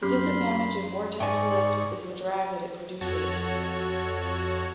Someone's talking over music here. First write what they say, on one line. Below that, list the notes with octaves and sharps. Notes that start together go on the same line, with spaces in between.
The disadvantage of vortex lift is the drag that it produces.
F#2 G4 B5 C6 F6
G#2 D5 G5 G#5 C#6
F2 F#4 A4 C#5 G#6